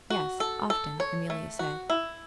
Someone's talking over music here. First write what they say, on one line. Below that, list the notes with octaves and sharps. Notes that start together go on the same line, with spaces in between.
"Yes, often," Amelia said.
F#4
A4
A4
C#5
A3
F#4
E4